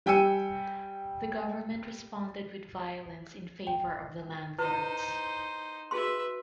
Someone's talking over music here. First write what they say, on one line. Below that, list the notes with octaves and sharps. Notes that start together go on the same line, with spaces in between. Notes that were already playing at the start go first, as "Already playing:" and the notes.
The government responded with violence in favor of the landlords.
G3 G5 G#5 E6 C#7 D#7
G5
D#4 E4 B4 C5
F#4 G#4 B4 E5 C6